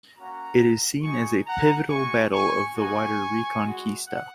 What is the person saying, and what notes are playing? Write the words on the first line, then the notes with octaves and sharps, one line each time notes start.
It is seen as a pivotal battle of the wider "Reconquista".
A#3 C#4 F#4 F#5 A#5
G#3 D#4 F#4 G#5 C#6
F#5 A#5
G#3 F#4 G#5 C#6
G#5 C#6
A#3 D#4 F#4 G#5 C#6
G#3 F#4
F#5